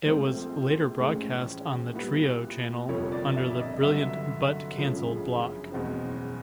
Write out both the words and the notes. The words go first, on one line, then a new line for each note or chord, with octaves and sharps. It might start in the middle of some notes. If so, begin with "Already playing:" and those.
It was later broadcast on the Trio channel, under the "Brilliant But Cancelled" block.
A#1 G#2 F3 A3 C4 C5
A1 A2 E3 G#3 C#4
A#2 G3 B3 E4
G1 F2 C3 F3 A#3 C#5
D5
E5
D#5
G2 D3 F#3 E5
G1 F#2 C#3 F3 G#3
F#1 E2 B2 G#3 C4